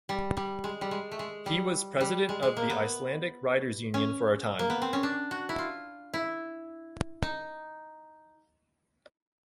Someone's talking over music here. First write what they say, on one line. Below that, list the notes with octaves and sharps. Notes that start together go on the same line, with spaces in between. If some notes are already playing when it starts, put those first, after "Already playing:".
He was President of the Icelandic writers union for a time.
G3
G3
G#3
G3
G#3
A3
G#3
G3
G3
G#3
G#3
A#3
B3
C#4
A#3
B3
C4
C#4
D4
F#4
E4
F4
E4
D#4